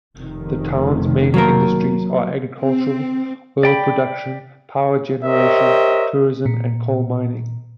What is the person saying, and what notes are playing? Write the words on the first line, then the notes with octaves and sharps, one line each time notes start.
The town's main industries are agriculture, oil production, power generation, tourism, and coal mining.
F1 C3 D#3
F#3 A#3 A#4
C4
D5 G5 B5
G4 A#4 C5 C#5 D#5 E5
A#2